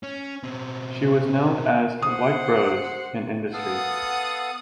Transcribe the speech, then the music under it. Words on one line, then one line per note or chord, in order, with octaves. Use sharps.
She was known as "White Rose" in industry.
C#4
B2 C4
C5 F#5 D#6
B3 A4 F5 F#5 D#6